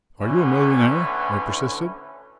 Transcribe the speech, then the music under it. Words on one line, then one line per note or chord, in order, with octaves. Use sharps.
"Are you a millionaire?" I persisted.
D2 A2 D3 E3 C#4 B4